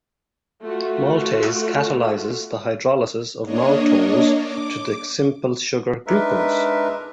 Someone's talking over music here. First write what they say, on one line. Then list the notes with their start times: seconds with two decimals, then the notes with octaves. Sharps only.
Maltase catalyzes the hydrolysis of maltose to the simple sugar glucose.
0.61 A3 F4 F#4
3.44 A#3 D4 C#5 D#5
4.41 D6
6.07 G#3 D4 D#4 A#4 B4 E5